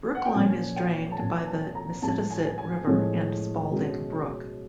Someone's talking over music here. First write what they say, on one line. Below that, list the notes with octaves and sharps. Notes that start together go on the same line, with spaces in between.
Brookline is drained by the Nissitissit River and Spaulding Brook.
F#5
G5
A#2 F3 A#3 C#4 G#5
G5
A5
A#2 F3 A#3 C#4 G#5
A5
A#5
A2 F3 G#3 A5
G#5
G#5
A2 F3 G#3
B2 G#3 C#4